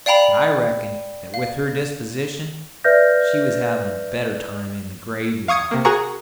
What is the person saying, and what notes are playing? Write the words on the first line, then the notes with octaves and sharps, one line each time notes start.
But I reckoned that with her disposition she was having a better time in the graveyard.
D5 F5 G5 A#5 B5
F5
B4 D5 E5 F6 G6 A#6
F5 C#6 D#6 G#6 C#7
C3 A#3
F#4 G#4 A#4 A#5 C#6